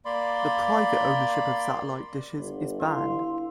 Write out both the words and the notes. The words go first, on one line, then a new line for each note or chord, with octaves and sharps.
The private ownership of satellite dishes is banned.
A#3 D5 B5 C6
G1
E4 F5 C6